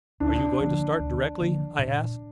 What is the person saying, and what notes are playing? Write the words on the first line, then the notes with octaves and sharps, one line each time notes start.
"Are you going to start directly?" I asked.
D2 D4
D3 F3 A#3
D2
D3 F3 A#3
A#2